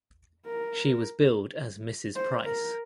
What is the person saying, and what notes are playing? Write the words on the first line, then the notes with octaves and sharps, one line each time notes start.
She was billed as Mrs Price.
A#4
C5
A#4